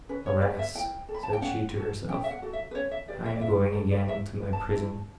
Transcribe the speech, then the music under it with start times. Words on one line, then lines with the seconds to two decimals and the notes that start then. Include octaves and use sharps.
'Alas!' said she to herself, 'I am going again into my prison!'
0.09 C#4 B4
0.26 C#5
0.42 G4 B4 D5
0.59 E5
0.75 E4 G5
1.09 A4
1.14 B5
1.23 A5
1.33 G5
1.41 C#4 F#5
1.76 F#4 A4
2.09 C#4 G5
2.24 E5
2.31 F#5
2.42 F#4 A4
2.53 E5
2.71 B4
2.75 C#4 C#5
2.91 E5
3.08 G4 B4 D5
3.26 E5
3.36 D5
3.41 E4 E5
3.74 A4
3.91 D5
4.08 E4 E5
4.41 B4
4.53 A5
4.74 E4